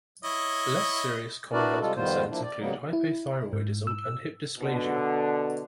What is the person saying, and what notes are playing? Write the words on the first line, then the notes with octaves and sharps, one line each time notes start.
Less serious common health concerns include hypothyroidism and hip dysplasia.
E4 C#5 D#5
D4 E4 F#4 A#4 B4 D5
C3 G3 G#3 F4 A4
F2 D#3 G3 B3 F4 C5
F3 A#3 D4 E4
D5
C#3 F#3 G3 A#3 B3 D#4
E4
G#2
E6
B2 D3